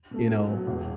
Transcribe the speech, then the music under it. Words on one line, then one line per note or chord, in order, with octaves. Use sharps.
you know
B2 A3
A2
F#3 B3
E1